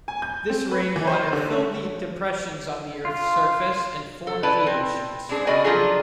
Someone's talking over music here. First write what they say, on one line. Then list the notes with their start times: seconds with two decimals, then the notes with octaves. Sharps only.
This rain water filled the depressions on the Earth's surface and formed the oceans.
0.08 G#5
0.22 G6
0.50 C4
0.71 B4
0.96 E3
1.07 C5
1.33 D3
1.52 C#4
3.05 F4
4.27 A4
4.43 E4 B4 D5 A5
4.67 C4
5.29 G#3 C4 D4 G#4
5.47 C#3 B3 F#4 D5 D#5 G#5
5.64 F3 F#3 D4 F4 G#4 A4